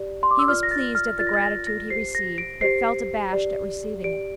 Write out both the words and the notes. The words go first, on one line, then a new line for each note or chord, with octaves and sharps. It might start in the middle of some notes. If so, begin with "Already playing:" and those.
He was pleased at the gratitude he received, but felt abashed at receiving it.
Already playing: G4 D5
C6
D6
E6
F4 A#4 D5 F6
A#6
A6
F6
F4 A#4 D5 A6
A#6
A6
A#6
A#6
G4 C5 C7
A#6
D7
G4 C5 C7
G4 D5
G4 D5 D7